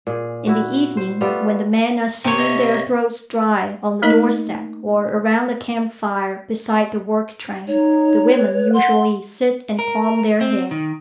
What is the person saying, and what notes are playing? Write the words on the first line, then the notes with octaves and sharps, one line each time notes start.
In the evening, when the men are singing their throats dry on the doorstep, or around the camp-fire beside the work-train, the women usually sit and comb their hair.
A#2 G#4
E4 F#4
C5
G3 A3 B3 F4
C3 C#5
D#5 E5
A3 A#3 D#4 A#4 D#5
D#4 C#5
B4
B4
F#5 C6
A#4
C4
D#3